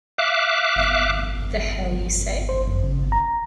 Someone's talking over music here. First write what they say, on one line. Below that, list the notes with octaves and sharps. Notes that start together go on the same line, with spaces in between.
The hell you say!
E5 F5 D6 F#6
C5
F#2
C#3
A#5